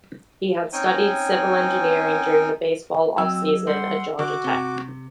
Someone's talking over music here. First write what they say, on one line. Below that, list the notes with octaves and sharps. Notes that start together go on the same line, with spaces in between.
He has studied civil engineering during the baseball off-season at Georgia Tech.
C4 C#4 D#4 C#5 G5 G#5
F#3 C4 D#5 E6
G3 F#5 C6
D3 F#4 D6
C3